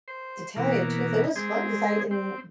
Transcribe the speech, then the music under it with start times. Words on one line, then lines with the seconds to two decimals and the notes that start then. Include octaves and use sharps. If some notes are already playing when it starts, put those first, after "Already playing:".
to tell you the truth, it was fun cause I n
0.08 C5
0.56 B2 E3 A#3
1.36 G#3 C4 G#4
2.11 C4